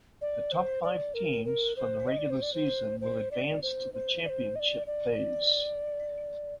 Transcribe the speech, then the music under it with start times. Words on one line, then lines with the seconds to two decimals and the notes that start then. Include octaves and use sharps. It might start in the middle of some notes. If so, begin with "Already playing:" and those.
The top five teams from the regular season will advance to the championship phase.
0.21 D5
0.52 C5
0.83 D5
1.14 A#4
1.45 A#4
1.77 C5
2.07 D#5
2.18 D5
2.30 C5
2.42 D5
2.54 C5
3.01 C5
3.31 D5
3.63 C5
3.94 C5
4.24 D5
4.29 C5
4.56 D#5
4.60 D5
4.87 D5